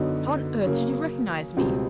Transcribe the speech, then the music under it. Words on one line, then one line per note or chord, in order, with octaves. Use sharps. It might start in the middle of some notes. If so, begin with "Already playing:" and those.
How on earth did you recognise me?'
Already playing: F#2 D3 F#3 B3 D#4
C#3 F#3 A#3
C#2 B2 G3 C4